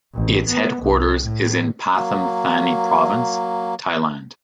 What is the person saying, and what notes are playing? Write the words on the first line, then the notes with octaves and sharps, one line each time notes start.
Its headquarters is in Pathum Thani Province, Thailand.
A1
B3
C2
A2
F#3 A#3